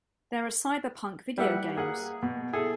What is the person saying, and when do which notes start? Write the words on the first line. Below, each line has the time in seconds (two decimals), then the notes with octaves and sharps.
There are cyberpunk video games.
1.38 G3 E4 B4 E5 F#5
1.76 A#3 G#4 F#5 F#6
2.22 B2
2.53 E4 G#4 A4